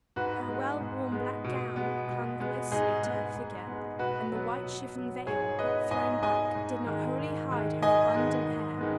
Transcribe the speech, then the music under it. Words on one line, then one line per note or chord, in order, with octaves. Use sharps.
Her well-worn black gown clung closely to her figure, and the white chiffon veil, thrown back, did not wholly hide her abundant hair.
G#2 F#4 B4
G#3 B3
G#2
G#3 B3
B2
G#3 B3
B2
G#3 B3
G#2 D#4 G#4
G#3 B3
G#2
G#3 B3
B2 F#4 B4
F#3 B3
B2
F#3 B3
G#2 G#4 C#5
G#3 B3 B4 D#5
G#2 D#5 G#5
G#3 B3 D#5 G#5
G#2
D#3 G#3
G#2
D#3 G#3
G#2 D#5 G#5
D#3 G#3 B3
G#2
D#3 G#3 B3